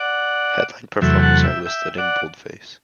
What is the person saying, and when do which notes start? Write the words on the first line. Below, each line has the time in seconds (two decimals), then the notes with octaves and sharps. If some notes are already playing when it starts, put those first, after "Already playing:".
Headline performers are listed in boldface.
Already playing: D5 F#5
1.01 E2 C3 F#3 A3 E5 G5
1.18 G5
1.23 F#5 A5
1.44 E5 G5
1.66 E5 G5
1.98 D5 F#5